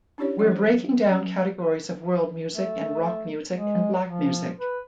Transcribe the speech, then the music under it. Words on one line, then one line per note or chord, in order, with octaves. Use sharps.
We're breaking down categories of world music and rock music and black music.
C#4 D4 E4 G4 C#5 D5
E3 F#3 A3 C#4 D#5
C5
F#3 C#4
A3
G#3
F3
B4